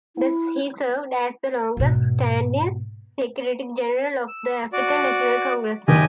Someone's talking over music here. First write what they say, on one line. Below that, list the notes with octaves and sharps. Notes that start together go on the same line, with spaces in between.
He served as the longest-standing secretary-general of the African National Congress.
E4
G#2 B2
E6
F#4 D5
F#1 D#3 G4 D#5 G#5